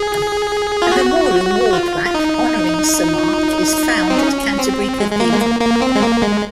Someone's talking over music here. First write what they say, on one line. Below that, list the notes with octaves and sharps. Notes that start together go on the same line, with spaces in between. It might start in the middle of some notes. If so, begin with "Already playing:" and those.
A memorial wall plaque honoring Sir Mark is found at Canterbury Cathedral.
Already playing: G#4
F4
F#4
F4
F4
D#4
C4
C#4
C4
G#3
G#3
A#3
G#3
A#3
A#3
C4
G#3
A#3
G#3